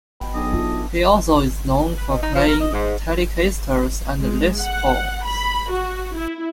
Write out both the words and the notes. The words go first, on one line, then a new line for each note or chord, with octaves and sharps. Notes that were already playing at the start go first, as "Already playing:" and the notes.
He also is known for playing Telecasters and Les Pauls.
B2 G5 B5
B1 D4 G#4 A4 D#5
F4 E5
B4
B2
D#4
F3
A#4
D#5
G#2
G#3
F#5
B5
F#4
E4